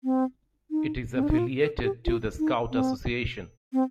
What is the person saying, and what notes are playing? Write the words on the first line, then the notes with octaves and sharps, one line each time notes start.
It is affiliated to the Scout Association.
C4
D#4
C4
D4
D#4
F4
A4
G4
F4
D#4
C4
C4